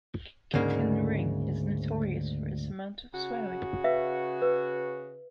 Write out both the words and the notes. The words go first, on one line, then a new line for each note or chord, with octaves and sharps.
"Get in the Ring" is notorious for its amount of swearing.
D2 G#2 C#3 A#3
C#3 F#4
B4 E5 F5
B4